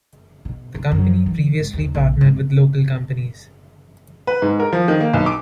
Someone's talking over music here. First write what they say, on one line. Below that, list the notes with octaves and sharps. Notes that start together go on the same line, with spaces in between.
The company previously partnered with local companies.
B2
C2
F#2
E3
G#1
D#2
A#1
G#1
B4
G#2
A#4
F3
D#3
A#3
B1
D6